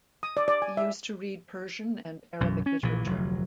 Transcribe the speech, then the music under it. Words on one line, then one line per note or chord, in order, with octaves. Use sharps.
He used to read Persian and Arabic literature.
D#6
D5
D5
G#5
E5
B1 F#2 E3
C#4
A#1 A#2 E3
F1 D2 F#3